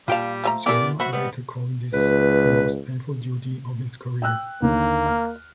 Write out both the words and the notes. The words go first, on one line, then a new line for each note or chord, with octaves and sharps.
Sumner later called this the most painful duty of his career.
A#2 G3 F4 F5 G5 A5
F3 A3 A#5
E3 B3 G4 A4 A#4 D5
B1 F#4 C5 E5 B5
G3 G#3 B3
C#2 B4
G5 E6 F#6
D#2 D3 A#3
F6